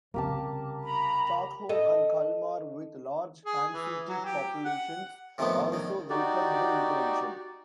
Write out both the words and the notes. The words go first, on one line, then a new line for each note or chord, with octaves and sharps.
Stockholm and Kalmar, with large Hanseatic populations, also welcomed the intervention.
C2 C#3 A#3 G4 A5
A#5 B5
A4 D#5
G#4
E3
F#3
G4
F#5
A2 C3 D#3 F3 B3
C#2 D#3
D#4 F#4 G4 D5